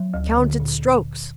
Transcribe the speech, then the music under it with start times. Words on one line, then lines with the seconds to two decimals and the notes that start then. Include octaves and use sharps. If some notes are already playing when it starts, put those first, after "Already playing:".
Count its strokes.
Already playing: F#3
0.14 D2
0.37 D3
0.60 A#2